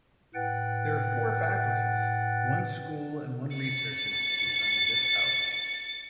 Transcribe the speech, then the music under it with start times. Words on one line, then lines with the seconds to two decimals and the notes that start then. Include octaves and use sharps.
There are four faculties, one school and one research institute under this college.
0.34 A2 B4 F#5 G5 F#6 A6
3.55 A6 C#7